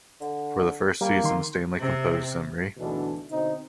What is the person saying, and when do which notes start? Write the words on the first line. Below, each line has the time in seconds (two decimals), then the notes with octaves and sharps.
For the first season Stanley composed Zimri.
0.21 D3
1.01 G3 A#3
1.24 D#3 C6
1.79 C3
2.79 D2 G#2 B2 D3 E3 D4
3.31 B2 D3 C4 D#4